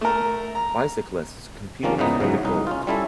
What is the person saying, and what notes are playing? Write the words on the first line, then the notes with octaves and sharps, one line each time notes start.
Bicyclists competing for the gold.
A3 A#4
A#5
D#3 F3 A#3 C#4 D4
G#2 C#3 E3 B3 D#4
G#2 C#3 E3 F#3
C2 D#4
C#4 F4
G3 C#4 E4 A4 E5